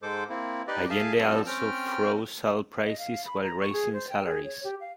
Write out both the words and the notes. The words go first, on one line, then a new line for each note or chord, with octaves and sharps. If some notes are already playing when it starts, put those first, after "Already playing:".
Allende also froze all prices while raising salaries.
G#2 G#3 A4 C5 D6
A#3 C4 E4
D#4 G4 B4 D5 D#5
G#4 E5 F5 G#5 A5
F3 G3 C4 A4 A5
C4 C#4 G5 F6
D#5
F5
B5
A#5
C#6
G#4
C5
G5
G#4
C#5
G4
F5